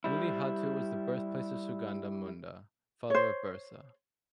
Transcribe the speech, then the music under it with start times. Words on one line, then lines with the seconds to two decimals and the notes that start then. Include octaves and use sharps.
Ulihatu was the birthplace of Sugana Munda, father of Birsa.
0.04 G3 E4
3.10 C5 C#5